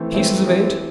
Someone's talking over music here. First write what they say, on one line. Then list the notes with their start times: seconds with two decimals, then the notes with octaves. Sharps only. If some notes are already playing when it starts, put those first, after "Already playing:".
Pieces of eight!
Already playing: E3 A3 C4
0.12 E3 A3 C4
0.46 E3 C4 G4